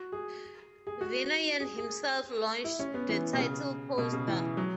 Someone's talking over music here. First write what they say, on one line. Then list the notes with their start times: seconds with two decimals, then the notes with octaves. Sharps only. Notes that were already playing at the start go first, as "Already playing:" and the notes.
Vinayan himself launched the title poster.
Already playing: F#4
0.12 G#4
0.87 G#4
1.01 F#4
1.60 G#4
1.78 G#4
2.64 E4
2.79 C#4
2.94 B3
3.09 E3
3.33 B2
3.39 C#3
3.98 B2
4.12 C#3
4.28 E3
4.57 F#3